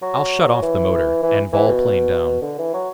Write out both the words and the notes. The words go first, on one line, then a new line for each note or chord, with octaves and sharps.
"I'll shut off the motor, and vol-plane down."
F#3
E3
E3
E3
B2
D3
E3
F#3